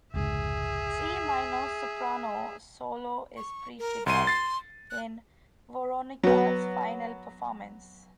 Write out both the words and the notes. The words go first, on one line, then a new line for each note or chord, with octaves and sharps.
Its E minor soprano solo is prefigured in Weronika's final performance.
F1 C#2 G#2 G#4 E5
C#6
A#4
C2 C6 D#7
A6 C7
F#6
F#3 B3